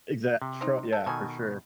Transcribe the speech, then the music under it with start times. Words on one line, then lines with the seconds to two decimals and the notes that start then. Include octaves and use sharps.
exact, tra yeah, for sure.
0.42 C3
0.61 C4 D#4
0.92 A4
1.06 B2 D#3 A4 G#5